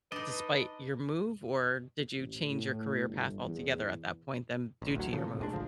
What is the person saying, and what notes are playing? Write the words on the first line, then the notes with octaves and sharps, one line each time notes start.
despite your move, or did you change your career path altogether at that point then due to your move?
D4 D#4 B4 D#5
A1
A2
G1
E2
A1
D2 F#3
A#2 C#3 F3 A3
C3
F1 A2 G#3 D4
A#1 F2 D3 F3